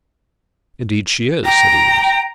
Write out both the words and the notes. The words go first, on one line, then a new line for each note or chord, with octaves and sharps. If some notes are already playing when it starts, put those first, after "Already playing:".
"Indeed she is," said Eames.
G5 A#5